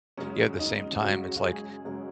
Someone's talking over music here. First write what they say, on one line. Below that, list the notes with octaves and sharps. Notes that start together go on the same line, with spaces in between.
yeah, at the same time, it's like,
F#2 C#3 G#3 C#4
D#4
F#2 C#3 G#3 F#4
F#4
G#4
F#2 C#3 G#3